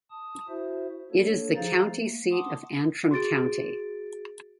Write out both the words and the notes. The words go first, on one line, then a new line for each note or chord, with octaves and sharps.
It is the county seat of Antrim County.
A5 D#6
E4 F#4 C5 E5
A#3 D4 A4 C#5
F3 G#4 C5 F5 A#5 A6
A3 A#3
F#5 A5 C6 D6 D#6
F#4 G#4 A6 D7